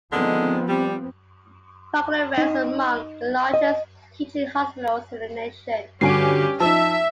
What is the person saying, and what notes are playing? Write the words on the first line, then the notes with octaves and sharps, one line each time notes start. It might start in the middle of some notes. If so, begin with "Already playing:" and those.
Parkland ranks among the largest teaching hospitals in the nation.
D3 D#3 F3 G#3 B3 C4
G3
D#4
D#5
G2 D3 C#4 F#4 G4 G#5 C7 D7
F3 D#4 E5 A5